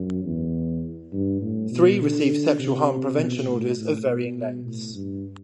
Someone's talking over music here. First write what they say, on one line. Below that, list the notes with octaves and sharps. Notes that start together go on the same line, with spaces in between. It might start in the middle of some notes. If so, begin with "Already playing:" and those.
Three received sexual harm prevention orders of varying lengths.
Already playing: F#2
E2
G2
A2
B2
D3
C3
B2
A2
A2
B2
A2
G2